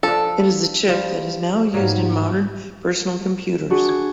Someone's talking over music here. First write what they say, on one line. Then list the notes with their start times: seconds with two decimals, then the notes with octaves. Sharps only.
It is the chip that is now used in modern personal computers.
0.03 F3 D4 A4
0.88 F3 G3
1.73 G#2 F#3 G3 A#3
3.38 E7
3.70 D4 F#4 G#4
3.89 G#6